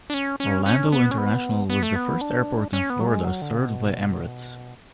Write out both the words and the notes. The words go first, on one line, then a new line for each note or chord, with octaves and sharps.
Orlando International was the first airport in Florida served by Emirates.
D4
C#4
C#4
C#4
B3
C#4
B3
B3
A3
B3
D4
C#4
B3
F#3
G#3
F#3
D3
C#3
B2
A2
B2